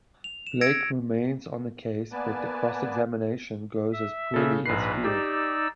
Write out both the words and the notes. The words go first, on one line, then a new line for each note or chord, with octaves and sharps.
Blake remains on the case, but the cross-examination goes as poorly as feared.
F7
E7
E6 G#6 A#6 C#7 D7
A#3 B3 B4 D5 G#5 A5
E5
C#3 A4
A#1 G#2 B4 B5 C7
D#4 G4 D5 E6